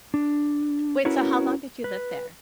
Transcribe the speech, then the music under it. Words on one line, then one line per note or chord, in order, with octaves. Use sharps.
Wait, so how long did you live there?
D4
C#4 E4 F#4 A#4 B4 C#5
B4